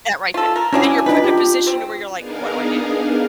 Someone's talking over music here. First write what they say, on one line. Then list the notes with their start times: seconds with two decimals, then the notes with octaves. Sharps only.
That right there. And you're put in a position to where you're like, "What do I do?
0.34 F4 A4
0.56 A#4
0.72 G#3 C#4 D4 E4 F#4 G#4
1.06 D4 D#4 F4 B4
1.24 G4
1.67 C4
2.15 B3 D4 D#4 G#4 A#4 F5